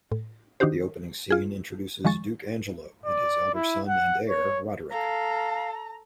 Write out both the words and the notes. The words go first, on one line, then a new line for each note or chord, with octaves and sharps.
The opening scene introduces Duke Angelo and his elder son and heir, Roderick.
A2
D#3 D4 D#4 F#4 G4 C5
F4 G#4
D#3 F3 G#3 C#6 A6
D5
E4
F#5
C#5
A4 F5 A#5